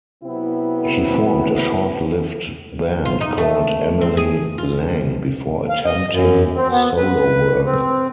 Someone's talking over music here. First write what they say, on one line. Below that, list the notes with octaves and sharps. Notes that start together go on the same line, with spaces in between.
He formed a short-lived band called Emily Lang before attempting solo work.
C3 F#3 B3 C4 E4
F4
D#4
A3
C4
G#4
F4
F5
D#5
F#2
C4
B3
B4
C4